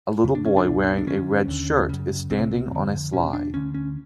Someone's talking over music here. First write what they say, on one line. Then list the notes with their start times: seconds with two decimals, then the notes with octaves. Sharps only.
A little boy wearing a red shirt is standing on a slide.
0.24 F2 C#3
0.35 D4
0.45 C#4
0.57 D4
0.65 C#2 B2
0.98 D4
1.06 F2 D3 C#4
1.48 D#2 D3
1.89 F#2 C#3
2.30 C2 C3 C4
2.72 F2 D3
3.13 E2 B2 C#4
3.33 D4
3.54 D2 D3 C#4
3.74 C#4